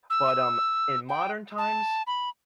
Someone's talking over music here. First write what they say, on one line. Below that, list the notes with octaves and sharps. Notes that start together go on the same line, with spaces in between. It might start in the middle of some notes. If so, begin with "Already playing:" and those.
But, um, in modern times,
E6
G5
A5
B5